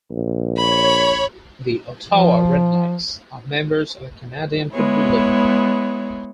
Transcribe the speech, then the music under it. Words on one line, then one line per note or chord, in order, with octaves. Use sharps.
The Ottawa Redblacks are members of the Canadian Football League.
A#1
C#5 B5
F3
G#3 B3 E4 C#5